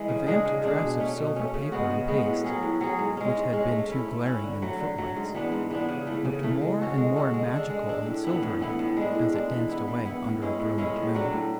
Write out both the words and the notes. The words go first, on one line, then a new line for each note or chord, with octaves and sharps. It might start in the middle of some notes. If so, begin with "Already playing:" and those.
The vamped dress of silver paper and paste, which had been too glaring in the footlights, looked more and more magical and silvery as it danced away under a brilliant moon.
Already playing: E3 G#3
C#3
G#3 D4 G#4
C#3
G#3 D4 G#4
B2
A3 C#4
B2
A3 C#4
C#3
G#3 B3 F#4
C#3
G#3 B3 F#4
A2
F#3 C#4 G#4
A2
F#3 C#4 G#4
G#2
G#3 C#4
G#2
G#3 C#4
A3
C#4 E4
A3
C#4 E4
D3
F#3 A3
D3
F#3 A3
G#2
E3 B3 D4
G#2
E3 B3 D4
C#3
E3 A3
C#3
E3 A3
G#3
C#4 F#4 A4
G#3
C#4 F#4 A4
G#3
D4 A4
G#3
D4 A4
A2
E3 B3 E4
A2
E3 B3 E4
A2
G#3 D4
A2
G#3 D4
E3
B3 E4
E3
B3 E4
A2
G#3 C#4 E4
A2
G#3 C#4 E4
A2
F#3 A3 D4
A2